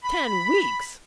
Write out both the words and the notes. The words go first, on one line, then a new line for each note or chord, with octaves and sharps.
"Ten weeks!"
B5